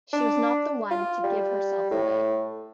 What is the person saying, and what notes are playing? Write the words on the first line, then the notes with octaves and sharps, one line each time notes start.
She was not the one to give herself away.
D4
F4
G3
A2